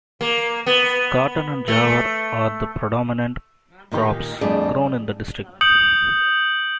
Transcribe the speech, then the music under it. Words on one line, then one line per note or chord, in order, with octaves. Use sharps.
Cotton and Jawar are the predominant crops grown in the district.
A#3
B3
A3
A#2 D#3 D#4 G4
F2 G3 A3 D4 G#4
D#6 G6 C#7 D7 F#7